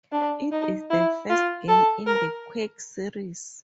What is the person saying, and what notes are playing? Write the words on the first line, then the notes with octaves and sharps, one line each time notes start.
It is the first game in the "Quake" series.
D4
D#4
E4
F4
A4
A#4